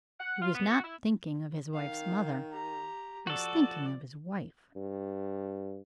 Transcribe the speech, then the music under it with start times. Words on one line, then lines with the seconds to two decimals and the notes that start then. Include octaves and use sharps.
He was not thinking of his wife's mother--he was thinking of his wife.
0.20 F#5
0.42 F4
0.54 B3
0.71 F#4
0.84 E4
1.74 D#3 F5
2.51 G4 A#5
3.27 F3 F#4 A4 D5
4.76 G2